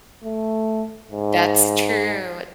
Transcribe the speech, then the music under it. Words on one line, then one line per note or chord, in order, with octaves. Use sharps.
That's true.
A3
G#2